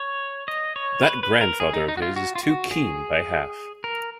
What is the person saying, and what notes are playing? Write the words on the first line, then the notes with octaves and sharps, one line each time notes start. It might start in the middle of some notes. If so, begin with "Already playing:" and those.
That grandfather of his is too keen by half.
Already playing: C#5
D#5
C#5
B4
B4
A#4
G#4
D#4
D#4
F#4
F4
F#4
F4
F#4
G#4
A#4